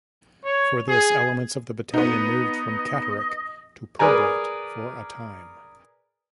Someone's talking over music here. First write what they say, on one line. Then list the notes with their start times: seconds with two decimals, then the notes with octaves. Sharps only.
For this, elements of the battalion moved from Catterick to Pirbright for a time.
0.44 C#5
0.89 G#4
1.94 B3 D#4 D#5
3.99 G#4 A#4 B4 D5 G#5 A#5